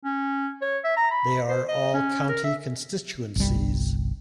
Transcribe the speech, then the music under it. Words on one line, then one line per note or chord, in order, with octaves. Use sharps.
They are all County constituencies.
C#4
C#5
E5
A#5
B5
C5
D#5
C#4
A#4
E5
G1 C2 G3